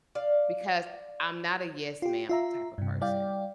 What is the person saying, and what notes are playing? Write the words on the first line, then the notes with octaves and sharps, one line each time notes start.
Because I'm not a "yes, ma'am" type of person.
D5 F5
F4 G4
F4 E5 A#5
G2 C3
G3 E4 D5 F5 G5